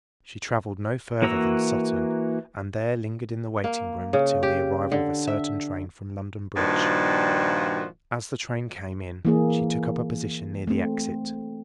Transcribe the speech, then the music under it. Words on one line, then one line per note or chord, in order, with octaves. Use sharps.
She travelled no further than Sutton, and there lingered in the waiting room till the arrival of a certain train from London Bridge. As the train came in she took up a position near the exit.
E3 A#3 F#4 A#5 E6
A#3
C#3
G4
D3
E5
G2 A#2 D#3 F3 F#4
E3 A#3 G#4
A3 C4